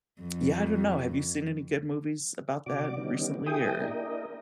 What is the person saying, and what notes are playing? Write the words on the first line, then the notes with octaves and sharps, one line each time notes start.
yeah, I don't know, have you seen any good movies about that recently or
F2
C3 F#4 D5 D6
D3 D#3 G3 B3 C#4 D#4
E4 G4 G#4 G5 D#6
A#3 D4 E4 A#4 D#5